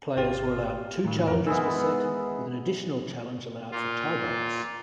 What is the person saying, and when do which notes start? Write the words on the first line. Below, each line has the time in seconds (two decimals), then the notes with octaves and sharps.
Players were allowed two challenges per set, with an additional challenge allowed for tiebreaks.
0.17 G#1 F4 G4
1.05 A2 D#3
1.27 F2 A#4
1.47 E3 G#3 B3 E6
3.72 A#2 F4